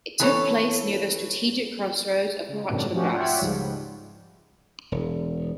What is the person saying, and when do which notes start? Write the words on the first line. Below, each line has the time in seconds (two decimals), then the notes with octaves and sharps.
It took place near the strategic crossroads of Quatre Bras.
0.20 E3 A4 C#5
2.48 C#3 G#3
2.69 F2 G#2 B2 D#3 F#3 D4
2.93 F3 A3 C#4 F#4 G4
3.11 F4 C#5 D5 E5 F#5 G5
3.40 C#2 G#2 F3 G3
4.92 E1